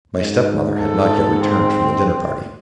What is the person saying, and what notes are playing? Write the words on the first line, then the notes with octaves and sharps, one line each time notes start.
My stepmother had not yet returned from the dinner-party.
G#2
A4
C4